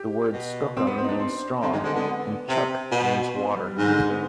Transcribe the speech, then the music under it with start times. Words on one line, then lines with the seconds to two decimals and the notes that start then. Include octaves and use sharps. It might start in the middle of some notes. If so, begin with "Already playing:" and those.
The word "skookum" means "strong", and "chuck" means "water".
Already playing: G4
0.33 B2
0.77 C4
0.87 B3
0.98 C4
1.04 D#4
1.09 D4
1.20 C4
1.62 D3 C4
1.73 D#3 G#3
1.84 D3 G#3
1.94 D3 B3
2.49 C3 C4
2.91 B2
3.35 C4
3.45 B3
3.55 G3
3.67 G3
3.77 G#2 D#3
3.88 D3
3.98 G#3
4.10 B3